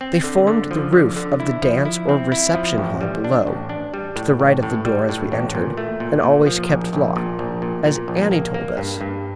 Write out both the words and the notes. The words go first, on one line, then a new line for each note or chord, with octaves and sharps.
They formed the roof of the dance or reception hall below--to the right of the door as we entered--and always kept locked, as Annie told us.
C4
D3
D3
F3
D3
D3
E4
F3
E4
C4
E4
F3
A1
G3
D4
A1
D4
G3
A2
A1
A2
G3
A2
A1
A#2
A3
A#2
A#2
F3
A#1
A#1
A#2
A#1
A#2
A#2
A#1
A#3
A#3
G2
G2